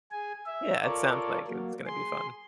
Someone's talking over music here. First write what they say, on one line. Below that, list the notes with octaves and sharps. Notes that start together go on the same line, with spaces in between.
Yeah, it sounds like it's gonna be fun.
G#4 G#5
E5
F4 A4 A#4 C#5 D5
F#3 A#3
G#4 C6